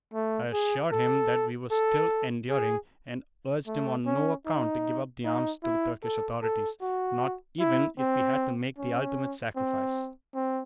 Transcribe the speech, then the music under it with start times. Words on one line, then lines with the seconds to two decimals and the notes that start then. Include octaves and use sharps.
I assured him that we were still enduring, and urged him on no account to give up the arms to the Turkish authorities--not even if we had to make the ultimate sacrifice.
0.14 A3
0.53 G#4
0.92 A4
1.71 A4
2.49 G#4
3.67 A3
4.06 C#4
4.46 D#4
5.24 D#4
5.64 E4
6.03 A4
6.42 A4
6.81 F#4
7.60 E4
7.99 C4
8.78 C#4
9.56 C4
10.35 C4